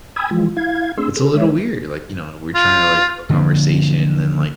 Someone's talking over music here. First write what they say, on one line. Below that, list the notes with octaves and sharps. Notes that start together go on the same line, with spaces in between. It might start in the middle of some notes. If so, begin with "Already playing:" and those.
it's a little weird. Like, you know, we're trying to, like, have a conversation and, like,
G5 G#5 B5 D#6 E6 G#6
E3 F3 G#3 F4
E4 F5 G#6
A3 C4 D4 G#4 C6 E6
G#4 A4
G#3 C#5 E5
F4
D3 F3 A3 A#3